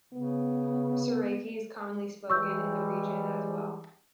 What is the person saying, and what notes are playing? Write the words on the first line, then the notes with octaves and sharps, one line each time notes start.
Seraiki is commonly spoken in the region as well.
C#3 B3
E3 G3 G#3 C#6 E6 G6